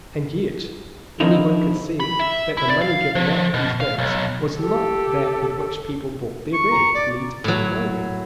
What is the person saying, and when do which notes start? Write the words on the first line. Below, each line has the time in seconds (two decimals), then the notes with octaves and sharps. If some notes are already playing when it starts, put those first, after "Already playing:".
And yet any one could see that the money given out at these banks was not that with which people bought their bread, meat, and clothing.
1.20 D3 D#3 F3 C4 D#4 E4
2.00 B5
2.19 E5
2.57 E4
2.69 D5
2.82 F5
3.15 F3
3.54 B2
3.81 F5
3.99 B1
4.60 G4 A4
6.53 C#6
6.70 A#5
6.94 D5
7.44 A2 F#3